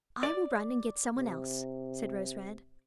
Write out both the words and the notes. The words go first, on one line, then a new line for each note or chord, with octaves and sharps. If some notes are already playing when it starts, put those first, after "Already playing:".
"I will run and get someone else," said Rose-Red.
D5
C3